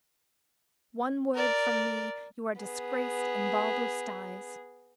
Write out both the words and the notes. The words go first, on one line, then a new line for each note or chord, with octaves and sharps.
One word from me, you are disgraced and Baldos dies.
A#4 D5
B3 G#4